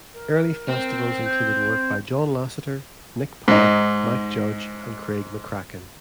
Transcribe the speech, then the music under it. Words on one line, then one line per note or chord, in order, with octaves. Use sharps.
Early festivals included work by John Lasseter, Nick Park, Mike Judge, and Craig McCracken.
A#4
C4
G6
G#2 D#4